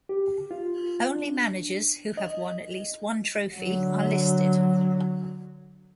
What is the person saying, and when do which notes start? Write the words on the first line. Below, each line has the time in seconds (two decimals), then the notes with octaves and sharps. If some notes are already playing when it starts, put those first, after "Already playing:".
Only managers who have won at least one trophy are listed.
0.09 G4
0.51 F4
1.16 D4
2.17 D#5
3.55 D3 F#3